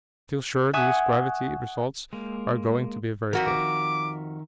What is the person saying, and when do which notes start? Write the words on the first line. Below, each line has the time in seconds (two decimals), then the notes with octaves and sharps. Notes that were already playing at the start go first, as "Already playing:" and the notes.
I feel sure these gravity results are going to be very good.
0.73 E5 F#5 G#5 C#6 D#6
2.13 G#3 A#3
3.33 F2 D#3 F#4 A#4 E5
3.47 D6